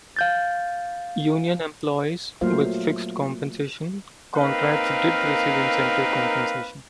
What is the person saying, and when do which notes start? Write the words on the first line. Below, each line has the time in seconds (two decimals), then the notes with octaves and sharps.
Union employees with fixed compensation contracts did receive incentive compensation.
0.16 F5 G6 A6
2.41 F#3 A3 A#3 F4 C5 F5
4.35 A#3 C4 D#4 A#4 B4 F5